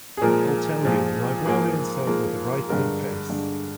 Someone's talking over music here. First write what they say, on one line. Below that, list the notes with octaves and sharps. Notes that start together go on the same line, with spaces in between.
I'll tell you, the librarian said with a brightening face.
G#4
A#2 F3 G#3 A#4
A#2 F3 G#3
G#2 F3 A#3 G#4
G#2 F3 A#3
G2 D3 G#3 A#4
G2 D3 G#3